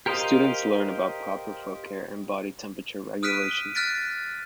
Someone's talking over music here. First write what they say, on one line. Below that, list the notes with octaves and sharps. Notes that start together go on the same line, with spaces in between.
Students learn about proper foot care and body temperature regulation.
G4 A#4 C5 D#5 F5
D#6 F6 F#6 B6 D7 D#7
F6 F#6 A6 B6 D7